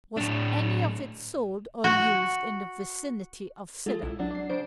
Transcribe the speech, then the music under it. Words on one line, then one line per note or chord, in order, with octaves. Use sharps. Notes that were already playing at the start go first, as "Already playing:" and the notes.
"Was any of it sold or used in the vicinity of Sidham?"
A2 D4
F#4
G#3 F4 G#4 A4
B1 E4
F#3 D4
D5 C7
C#3 D4 C5 D7